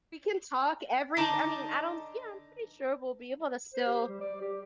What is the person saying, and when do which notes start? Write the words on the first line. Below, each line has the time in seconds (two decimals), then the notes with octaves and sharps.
We can talk every I mean, I don't, yeah, I'm pretty sure we'll be able to still,
1.17 D3 D#4 D#5 A5 A#5 D6
3.74 C5
3.87 G4
4.08 G3
4.21 D5
4.41 G4